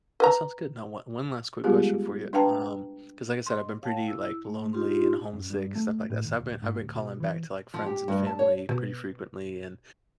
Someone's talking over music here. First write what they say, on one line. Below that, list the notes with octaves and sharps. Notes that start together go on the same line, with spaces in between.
That sounds good. Now, o one last quick question for you, um 'cause, like I said, I've been pretty, like, lonely and homesick, stuff like that. So, I've been I've been calling back to, like, friends and family pretty frequently, and,
B4 A#5
G3 G#3 B3 F4 G4 G#4
G#3
D4 B4 F5 G5 A5 A#5
D#5 C6
C#5 F5 G5 A5
E4 E6
A3
D4 D#4 F4 G4 C6
F#2
G2
A3
A2
G#1
D1
G#2
D1
B2
E3
F3
G4
G2
A5
C#5
B2